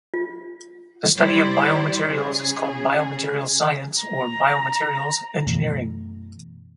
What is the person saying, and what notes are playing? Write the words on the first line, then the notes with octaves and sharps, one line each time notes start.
The study of biomaterials is called biomaterials science or biomaterials engineering.
F4
G3 E4 G4 C5 D5
C#3 G#4
A#5
F#2 B2 E3 A3